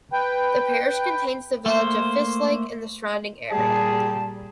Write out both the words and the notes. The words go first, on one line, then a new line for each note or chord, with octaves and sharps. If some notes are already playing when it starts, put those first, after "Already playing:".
The parish contains the village of Fishlake and the surrounding area.
B4 G5
A3 A#3 C5
A#2 G3 G4 G#4 A5